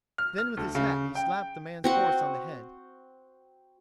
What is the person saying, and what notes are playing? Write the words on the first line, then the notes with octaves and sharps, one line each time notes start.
Then with his hat he slapped the man's horse on the head.
F6
F6
D2
C#3
G5
C4 F#4 F#5